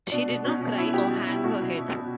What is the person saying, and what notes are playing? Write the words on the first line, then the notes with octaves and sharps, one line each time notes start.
She did not cry or hang her head.
B2 D4
B2
B2 C#4
B2
B2 E4
B2 G4
B2
B2 E4
B2 F#4
B2
B2
B2